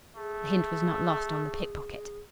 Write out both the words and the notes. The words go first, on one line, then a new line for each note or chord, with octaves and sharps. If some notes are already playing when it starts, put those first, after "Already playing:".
The hint was not lost on the pick-pocket.
A3 G#4